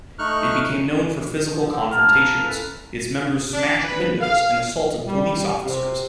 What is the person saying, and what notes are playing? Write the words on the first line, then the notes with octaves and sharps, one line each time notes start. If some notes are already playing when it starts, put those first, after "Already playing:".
It became known for physical confrontations: its members smashed windows and assaulted police officers.
A3 D#4 C#6 F6 F#6
D3 F3
D3
F5 A5 A#5 F6
F#2 E4 A4 B4
D4
B4
F5
G3
C3